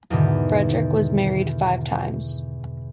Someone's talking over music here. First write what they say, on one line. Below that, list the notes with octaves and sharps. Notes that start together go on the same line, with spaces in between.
Frederick was married five times.
E2 G#2 B2 D3 D#3